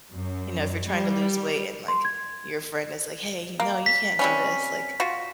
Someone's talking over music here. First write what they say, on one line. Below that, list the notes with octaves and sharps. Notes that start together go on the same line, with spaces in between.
you know, if you're trying to lose weight, and, like, your friend is, like, "Hey, y no, you can't do this," like,
F#2
G3
C6
G#6
A#3
B6
C3 G3 C#4
F4 F#4